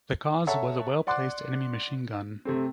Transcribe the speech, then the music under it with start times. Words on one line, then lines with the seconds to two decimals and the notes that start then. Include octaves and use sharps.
The cause was a well placed enemy machine gun.
0.47 A4 C#5 E5 F#5 A5 A#5
1.07 D5 F#5 C6 D6 F#6
2.45 C3 A3 C4